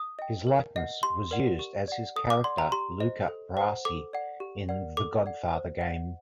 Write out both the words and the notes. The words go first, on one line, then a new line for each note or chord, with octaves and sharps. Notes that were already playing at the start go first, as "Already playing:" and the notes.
His likeness was used as his character Luca Brasi in "The Godfather Game".
Already playing: D#6
D#5 G5
A#4
D#5 F#5
G4 C6
A#4 D5 F#5
G4
D5 F#5
A4 D#6
D6
D5 F#5 C6
A#5
G4 C6
C5 D#5
A4
C5 F#5
A4 D6
D5 F#5
G4
A#4 D5 F#5
A4 D6
D5 F#5
C5
D#5 F#5